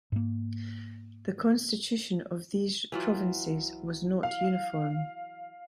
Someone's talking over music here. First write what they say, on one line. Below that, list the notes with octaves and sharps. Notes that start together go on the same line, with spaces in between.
The constitution of these provinces was not uniform.
G#2 A#3
E3 F#3 F4
F5